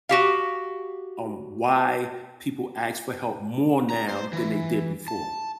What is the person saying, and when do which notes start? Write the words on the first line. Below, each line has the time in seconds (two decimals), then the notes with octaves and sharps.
on why people ask for help more now than they did before?
0.09 F#4 G4 F5
3.90 A#5
4.09 C5
4.33 E3
5.08 A5